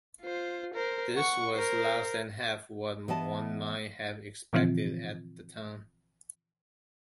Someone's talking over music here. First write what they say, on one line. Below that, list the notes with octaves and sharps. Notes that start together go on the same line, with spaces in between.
This was less than half of what one might have expected at the time.
F4 C5
A#4 C5
F#5 C#6
A#4 C5
E3 B3 D#5 A5
A#2 D3 E3 F3 C4 F4